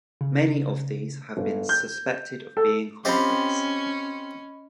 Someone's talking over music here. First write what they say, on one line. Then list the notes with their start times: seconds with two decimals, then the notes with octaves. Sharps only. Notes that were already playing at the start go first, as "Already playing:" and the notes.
Many of these have been suspected of being hybrids.
0.21 C#3
1.37 G1
1.69 G6
2.57 A4
3.05 C4 C#4 F4 G4 D#5 B5